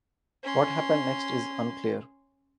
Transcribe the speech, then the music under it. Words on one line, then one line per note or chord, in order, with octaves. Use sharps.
What happened next is unclear.
C#4 C6